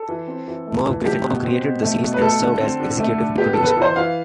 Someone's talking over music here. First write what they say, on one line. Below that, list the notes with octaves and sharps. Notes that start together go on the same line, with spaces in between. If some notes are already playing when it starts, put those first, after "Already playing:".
Merv Griffin created the series and served as executive producer.
Already playing: A4
E3
C4
E3
A3
E3
A3 G4
B2
C4
B2
A3
B2
B4
A3 A4
D3
C4
D3
A3
D3
B3 G4
B3 A4
B4
A4
E3 C5
E3 F5